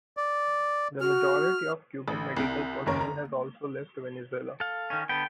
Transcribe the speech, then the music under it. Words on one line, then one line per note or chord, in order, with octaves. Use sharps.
The majority of Cuban medical personnel has also left Venezuela.
D5
F#4 F6
A1
C2
F#1 D#2 C#4 A#4 C#5
A#5
A4 F5
D#3 C#4
D3 B3 G5